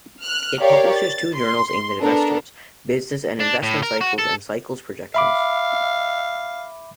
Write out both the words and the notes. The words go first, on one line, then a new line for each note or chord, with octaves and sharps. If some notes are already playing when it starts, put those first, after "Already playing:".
It publishes two journals aimed at investors, "Business and Investment Cycles" and "Cycles Projections".
F6 F#6
G4 A#4 C#5 D5 F5
A6
C6
B3 D4 A4 A#4
D4
A2
A#4
F#4
A4
E5 F5 B5 D6